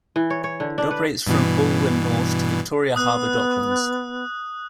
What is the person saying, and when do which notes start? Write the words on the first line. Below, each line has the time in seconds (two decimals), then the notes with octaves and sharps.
It operates from Balwyn North to Victoria Harbour Docklands.
0.16 E3
0.30 C#5
0.44 C#5
0.60 D3
0.78 D4
0.91 B4
1.27 G2 B2 E3
2.96 B3 D#6 F#6